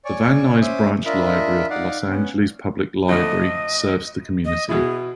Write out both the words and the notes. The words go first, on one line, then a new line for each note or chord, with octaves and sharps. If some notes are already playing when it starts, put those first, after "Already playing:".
The Van Nuys Branch Library of the Los Angeles Public Library serves the community.
C#5 D5 G#5 C#6
C#4 C5 E5 D6 D#6
D4 F4 A#4 D#5 E5 B5
D#4 D5 F5 F#5
B3 C#4
F2 D3 A3 D#5
D#5
B2 E4 G#4